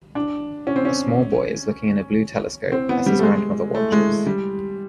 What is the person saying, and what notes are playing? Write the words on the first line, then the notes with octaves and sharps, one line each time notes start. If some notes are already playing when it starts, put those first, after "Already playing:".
A small boy is looking in a blue telescope as his grandmother watches.
D4
C#4
C4
C#4
C4
B3
G3
A3
G#3
A3
G#3
G3